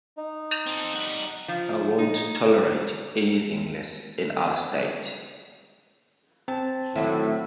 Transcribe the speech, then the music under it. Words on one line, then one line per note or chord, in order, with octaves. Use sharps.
I won't tolerate anything less in our state.
D#4
C4 A4
G3 F#4
F3
D#4
C4 A5
A2 D#3 F#3 A3 E4